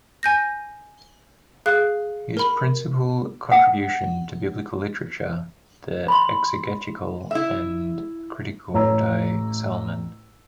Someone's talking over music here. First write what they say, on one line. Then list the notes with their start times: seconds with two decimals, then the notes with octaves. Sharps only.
His principal contribution to Biblical literature, the exegetical and critical Die Psalmen.
0.23 G#5 G6 A#6
1.66 G#4 F5 F#6
2.37 A#4 B5
3.52 F#5
6.08 B5 C6
7.31 E4 E5
8.74 A1 C#5 A#5 E6